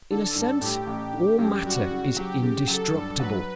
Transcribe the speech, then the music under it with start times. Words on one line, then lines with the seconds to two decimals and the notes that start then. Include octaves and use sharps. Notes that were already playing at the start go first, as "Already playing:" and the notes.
In a sense, all matter is indestructible.
0.10 D3 A4
0.35 G2
0.61 A2 G4
0.87 A1
1.13 D3
1.38 F#2
1.64 G3 F#4
1.91 C#3
2.16 F#3 G4
2.42 C#3
2.67 F#3 A4
2.94 G2
3.19 F#3 B4